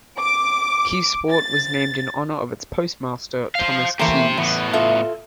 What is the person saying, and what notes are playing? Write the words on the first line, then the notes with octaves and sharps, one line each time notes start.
Keyesport was named in honor of its postmaster, Thomas Keyes.
D6
A6
C5 F5
E3 A3 A#3 G4 C5
A2 E3 B3
F4 A4 E5